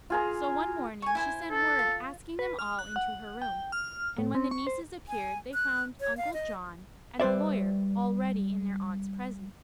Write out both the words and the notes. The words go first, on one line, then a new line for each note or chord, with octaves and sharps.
So one morning she sent word asking them all into her room, and when the nieces appeared they found Uncle John and the lawyer already in their aunt's presence.
F4 G#4 A#5
G#5 C#6
E4 C5 G#5
A4
F4
B4
F6
F#6
F#5
G5
F6
A2
C4
C#6
C5
G#5
F#6
C#5
F5
D#5
G3 B4 C5 D5 E5